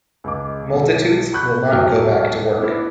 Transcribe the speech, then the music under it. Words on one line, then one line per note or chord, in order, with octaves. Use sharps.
Multitudes will not go back to work.
C#2 G#3 D6
B1
B5 C#6 F#6 G6
D#1 B2 F#3 G4 F6
B3 D4 E4